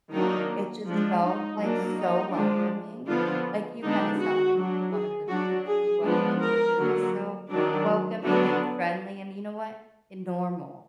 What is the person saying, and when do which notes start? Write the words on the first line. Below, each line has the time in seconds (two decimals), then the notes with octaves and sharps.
it just felt, like, so welcoming, like, you kinda sound like one of the pe people I met in Georgia, they're just so welcoming and friendly, and you know what? And normal.
0.12 D#3 F#3 A#3 D4 D#4
0.86 F3 G#3 D4
1.24 D#4
1.60 F#3 A#3 D4
1.97 D#4
2.34 F3 G#3 D4
3.07 D3 F3 B3 D4 F4
3.81 D3 G#3 B3 D4 D#4
4.18 F#4
4.55 F#3 D4
4.92 G#4
5.29 F#3 D4 F#4
5.66 G#4
6.03 F3 G#3 B3 D4
6.40 A#4
6.77 D3 F#3 A#3
7.50 D#3 F#3 D4
8.24 D3 F#3 B3 D4 F#4